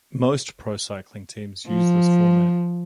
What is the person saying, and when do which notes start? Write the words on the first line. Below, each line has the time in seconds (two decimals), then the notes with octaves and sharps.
Most pro-cycling teams use this format.
1.68 F3